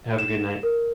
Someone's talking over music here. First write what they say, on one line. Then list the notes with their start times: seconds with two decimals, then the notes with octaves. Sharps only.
Have a good night.
0.19 E7
0.63 A#4